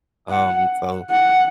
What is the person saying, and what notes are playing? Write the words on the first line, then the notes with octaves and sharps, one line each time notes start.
Um, so
F#5
F#5